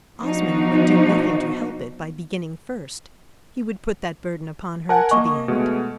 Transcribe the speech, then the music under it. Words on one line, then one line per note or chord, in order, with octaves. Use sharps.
Osmond would do nothing to help it by beginning first; he would put that burden upon her to the end.
B2 F3 D4 D#4 F#4
A#4 F#5 G#5 A5
A#3 D#5 C#6
B2 G#3 A3